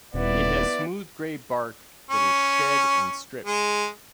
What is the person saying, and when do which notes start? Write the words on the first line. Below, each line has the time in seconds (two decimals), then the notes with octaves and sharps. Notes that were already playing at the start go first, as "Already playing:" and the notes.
It has smooth grey bark that is shed in strips.
0.14 D#1 B3 E4 D5
2.10 C#4
3.45 G#3